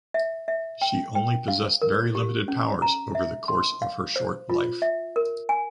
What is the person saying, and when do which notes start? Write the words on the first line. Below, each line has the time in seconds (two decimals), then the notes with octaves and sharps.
She only possessed very limited powers over the course of her short life.
0.14 E5
0.48 E5
0.82 G5
1.15 G5
1.48 F5
1.82 A#4
2.15 G4
2.48 C#4
2.82 A#5
3.15 E5
3.48 C6
3.82 F5
4.16 C5
4.50 F4
4.82 E5
5.16 A#4
5.49 G#5